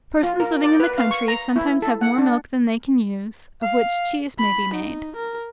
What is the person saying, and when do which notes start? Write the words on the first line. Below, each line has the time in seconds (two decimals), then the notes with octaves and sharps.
Persons living in the country sometimes have more milk than they can use, of which cheese may be made.
0.23 F4
0.40 A#4
0.63 D5
0.80 B4
0.98 F5
1.11 C#6
1.28 A#5
1.56 E4
1.82 A4
2.01 F#5
2.18 D4
3.62 F5
4.39 B5
4.74 D#4
5.16 A#4